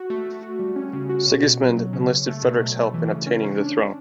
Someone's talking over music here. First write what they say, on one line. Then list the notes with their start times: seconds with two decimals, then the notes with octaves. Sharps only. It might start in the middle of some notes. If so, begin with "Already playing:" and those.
Sigismund enlisted Frederick's help in obtaining the throne.
Already playing: F#4
0.10 A3
0.26 F#4
0.42 F#4
0.59 G3
0.76 C#4
0.93 C#3
1.09 F#4
1.26 B2
1.43 B2
1.60 F#3
1.77 F#3
1.93 C#3
2.10 C#3
2.26 A3
2.43 B2
2.60 F#3
2.77 A3
2.94 E3
3.09 C#3
3.27 C#4
3.43 C#4
3.60 D4
3.77 D4